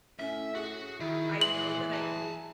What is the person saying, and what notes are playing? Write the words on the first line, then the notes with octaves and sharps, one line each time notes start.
I know that I can
A2 C#4 E5
F#4 G#4
D#3 E4
A#2 E3 C6 F#7
G#5 A5